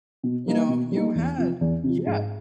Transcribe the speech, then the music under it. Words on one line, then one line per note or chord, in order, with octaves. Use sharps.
You know, you had Yeah,
B2
G3 A#3 D#4
B2
G3 A#3 D#4
E2
C3 F3
E2
C3 F3
G#2